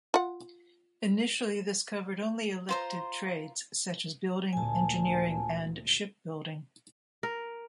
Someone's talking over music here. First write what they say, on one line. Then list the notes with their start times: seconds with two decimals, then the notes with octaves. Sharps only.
Initially this covered only elected trades, such as building, engineering and shipbuilding.
0.14 F4 F#5
2.69 F4 C5 A#5
4.53 D2 A#2 G#5 A5
7.23 A#4